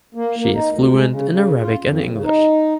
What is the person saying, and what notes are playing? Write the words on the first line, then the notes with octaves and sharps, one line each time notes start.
She is fluent in Arabic and English.
A#3
A#3
D#4
D2
G#3
C#3
C#3
F4
F2
C#3
D#4